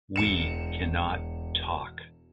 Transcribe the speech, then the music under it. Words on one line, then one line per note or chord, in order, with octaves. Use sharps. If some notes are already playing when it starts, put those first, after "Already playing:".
We cannot talk.
E1 C#7 E7